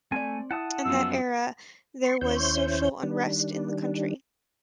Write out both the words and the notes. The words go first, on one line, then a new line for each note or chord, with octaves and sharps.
In that era, there was social unrest in the country.
A3 C4 D5 G#5
E4 F#5 A5 D#6
F#2 F3 B3 E6
C6 C#6
D#2 C#4 E4 C5 C#5 G6
D#3 G3 D4